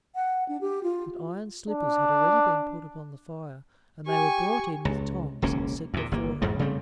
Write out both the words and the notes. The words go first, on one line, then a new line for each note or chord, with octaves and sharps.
But iron slippers had already been put upon the fire, and they were brought in with tongs, and set before her.
F#5
D4
G4
F4
D4
G4 G#5 C#6
C#2
E1 C#2 A#3 C#4
E2 A#2
G1 A#3
E2 G#2 B2 G3
C#3 G3 A3 C4